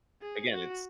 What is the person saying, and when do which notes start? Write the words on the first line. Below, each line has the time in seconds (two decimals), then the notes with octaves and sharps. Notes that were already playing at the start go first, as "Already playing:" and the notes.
again, it's
0.22 G#4
0.52 F#4